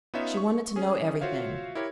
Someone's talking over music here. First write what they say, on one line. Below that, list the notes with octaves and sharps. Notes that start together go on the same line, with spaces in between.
She wanted to know everything.
B3 C#4 D#4 F4 C#5 E5
C#6
C#4 G#4
F4 F#4 C5 C#5 E5 F5
E4 G4 A#4 C#5